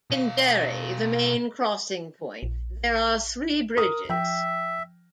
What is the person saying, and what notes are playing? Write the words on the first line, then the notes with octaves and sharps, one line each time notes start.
In Derry, the main crossing point, there are three bridges.
B2 F5
A#1
A#4 D#6
F3 E5 G5